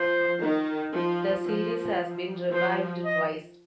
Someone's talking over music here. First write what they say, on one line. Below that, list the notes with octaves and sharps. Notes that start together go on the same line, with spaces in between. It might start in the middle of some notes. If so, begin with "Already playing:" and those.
The series has been revived twice.
Already playing: F3 C5
D#3
F3
F3
F3
F3 C5
D#5